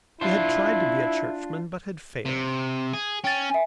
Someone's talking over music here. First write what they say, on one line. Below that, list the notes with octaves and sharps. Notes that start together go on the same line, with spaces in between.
He had tried to be a churchman but had failed.
D4 E4 F4 C5
C3
G#4
C#4 G5 A6
E5 G#5